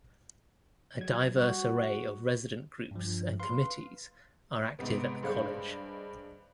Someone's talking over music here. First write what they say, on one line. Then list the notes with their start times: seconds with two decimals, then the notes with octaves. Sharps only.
A diverse array of resident groups and committees are active at the college.
0.99 F#3 G#6
1.35 G3 F#4
2.91 G2 F3
3.40 B4 F5 C6
4.79 G#2 C3 B3
5.23 G2 G#3 C5 F5 F#5